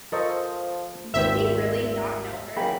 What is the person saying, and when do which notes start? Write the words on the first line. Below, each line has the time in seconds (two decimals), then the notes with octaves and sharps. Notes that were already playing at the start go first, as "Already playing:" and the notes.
Does he really not know her.
0.12 F3 A4 A#4 C5 D#5 A5 C#6
1.14 G#1 D#2 A#2 E5 G5
2.57 D#3 F#3 A#3 G#4 G5 B5